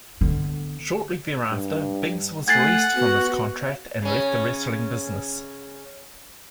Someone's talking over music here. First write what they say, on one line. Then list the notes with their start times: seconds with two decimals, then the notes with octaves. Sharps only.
Shortly thereafter, Biggs was released from his contract and left the wrestling business.
0.21 D3 B3
1.50 G2
2.48 A3 F#5 G#5 G#6 A6 C7
2.96 B3 F#4
4.02 C#3 C#4